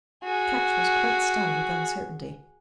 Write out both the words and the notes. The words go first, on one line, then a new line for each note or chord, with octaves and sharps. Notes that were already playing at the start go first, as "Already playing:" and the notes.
Ketch was quite stunned with uncertainty.
F#4 G#4